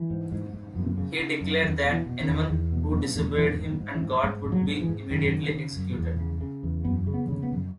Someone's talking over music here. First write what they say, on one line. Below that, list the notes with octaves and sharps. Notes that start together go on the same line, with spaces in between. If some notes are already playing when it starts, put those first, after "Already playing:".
He declared that anyone who disobeyed him and God would be immediately executed.
Already playing: E3
G#2
G#2
G#2
F#2
C#3
C#3
F#2
E2 D#3
B2
E3
B2
D#3
E2
E2
B2
B2
E2
G#2 E3
G#2
D#3
G#2
E3
G#2
G#2 G#3
G#2
F#3
G#2
E3
G#2
F#2 D#3
C#3
C#3
F#2
E2
C#3
C#3
E2
F#2 B3
C#3
B3
C#3
B3
F#2